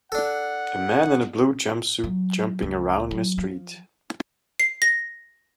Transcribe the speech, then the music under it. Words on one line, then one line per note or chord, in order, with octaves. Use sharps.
A man in a blue jumpsuit jumping around in a street.
D4 A4 F#5
F#3
C#2
F#3
F3
C7
A#6